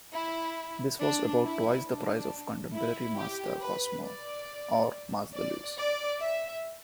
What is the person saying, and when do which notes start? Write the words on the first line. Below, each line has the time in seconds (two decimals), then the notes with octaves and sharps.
This was about twice the price of a contemporary Mazda Cosmo or Mazda Luce.
0.14 E4
1.00 D4
1.44 E4
1.87 D4
2.74 E4
3.18 G4
3.60 B4
4.05 D5
5.35 D5
5.78 D5
6.21 E5